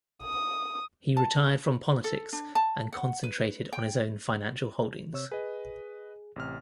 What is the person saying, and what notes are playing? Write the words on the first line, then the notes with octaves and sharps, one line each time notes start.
He retired from politics and concentrated on his own financial holdings.
D#6
A5
A4
D4
A5
F#5
B4
G5
C3 C#5 E6
G#4 B4 D#5
A1 C3 F6